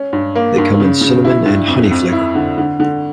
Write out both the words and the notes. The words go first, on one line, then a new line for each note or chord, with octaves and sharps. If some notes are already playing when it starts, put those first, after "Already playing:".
They come in cinnamon and honey flavor.
Already playing: C#4
G2
A#3
G2
C#3
C#3
E4
G2
F2
F2
E4
D3
D3
D3